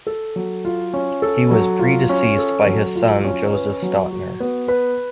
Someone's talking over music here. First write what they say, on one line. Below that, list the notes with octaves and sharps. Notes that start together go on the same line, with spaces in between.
He was predeceased by his son, Joseph Stautner.
A4
F#3
F4
C#4
A4
F#3
F4
C#4
A4
F#3
F4
C#4
B4
F#3
F#4
B3
B4